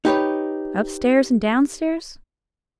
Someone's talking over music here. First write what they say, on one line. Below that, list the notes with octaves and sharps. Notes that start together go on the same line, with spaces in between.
Upstairs, and downstairs.
D#4 G4 B4 C#5